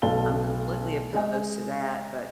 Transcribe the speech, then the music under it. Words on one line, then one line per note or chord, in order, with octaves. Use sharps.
I'm completely opposed to that, but
B1 A3 F5 A5 G7
G#3 D#5 G#5